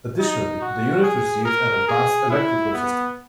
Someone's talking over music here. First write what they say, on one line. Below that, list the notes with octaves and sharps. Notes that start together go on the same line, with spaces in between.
Additionally, the unit received an advanced electrical system.
D#4
F#4
G#4
A#4
G#4
E4
B3